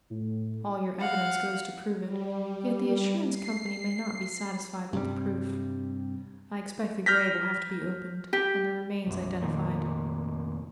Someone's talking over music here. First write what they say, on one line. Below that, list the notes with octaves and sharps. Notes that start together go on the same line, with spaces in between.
"All your evidence goes to prove it, yet the assurance company may not be satisfied with the proof. I expect the grave will have to be opened, and the remains identified."
A2
F5 F#5
G3
C7
G2 C3 G3
F6 G6 A#6 B6
G4
B1 F#2
F1 A#2 D#3